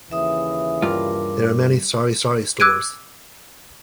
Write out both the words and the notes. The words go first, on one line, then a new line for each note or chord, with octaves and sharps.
There are many sari-sari stores.
D#2 C#3 E3 E5 D#6
G2 F4 A#4 D6
D6 E6 F#6 G#6 D7 D#7